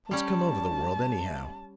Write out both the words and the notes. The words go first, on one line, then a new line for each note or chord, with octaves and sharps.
What's come over the world anyhow?
G3 C#4 A5